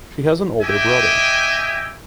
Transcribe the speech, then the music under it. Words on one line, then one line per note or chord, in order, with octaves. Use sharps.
She has an older brother.
G4 D#5 E5 G5 G#5